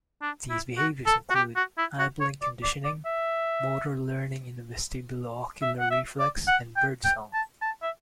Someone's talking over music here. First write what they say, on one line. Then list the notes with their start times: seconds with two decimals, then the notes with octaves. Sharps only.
These behaviors include eyeblink conditioning, motor learning in the vestibulo-ocular reflex, and birdsong.
0.21 D4
0.50 E4
0.78 F#4
1.06 A4
1.30 F#4
1.35 G4
1.56 F#4
1.78 E4
1.99 F#4
2.21 C#5
2.42 D5
2.63 D5
2.84 D5
3.05 E5
5.62 E5
5.79 F#5
5.90 E5
6.19 D5
6.47 F#5
6.76 G5
7.04 G5
7.33 A5
7.62 A5
7.82 E5